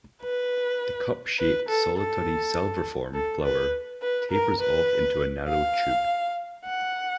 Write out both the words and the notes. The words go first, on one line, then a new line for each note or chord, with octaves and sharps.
The cup-shaped, solitary, salverform flower tapers off into a narrow tube.
B4
B4
A4
A4
A4
B4
B4
A#4
B4
F5
F#5